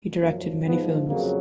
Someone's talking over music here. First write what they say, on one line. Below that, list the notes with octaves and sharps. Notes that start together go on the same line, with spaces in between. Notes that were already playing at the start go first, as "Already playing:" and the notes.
He directed many films.
F#2 F3 A#3
G#2 F3 B3
F2 C#3 F#3 A#3